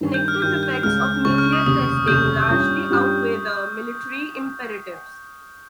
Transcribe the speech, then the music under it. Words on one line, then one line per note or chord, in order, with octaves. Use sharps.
The negative effects of nuclear testing largely outweigh the military imperatives.
G2 D#3 G3
G6
F6
G2 D#3 G3 G6
G6
C#2 C#3 G#3 F6
C#2 C#3 G#3 C#6
F6
D#6
F1 D#2 C#3 D#6
F1 D#2 C#3 G6
G2 G3 C#4 F4
G2 G3 C#4 F4